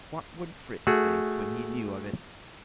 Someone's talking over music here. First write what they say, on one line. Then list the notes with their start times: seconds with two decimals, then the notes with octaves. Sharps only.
What would Fritz think, when he knew of it?
0.87 A3 F#4 G#4